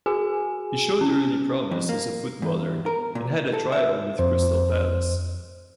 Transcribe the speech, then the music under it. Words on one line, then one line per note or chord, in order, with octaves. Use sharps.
He showed early promise as a footballer, and had a trial with Crystal Palace.
F#4 G#4 G#5
C#4
F2
A#3
E2
A#4
A#2
A4
E5
F2 C5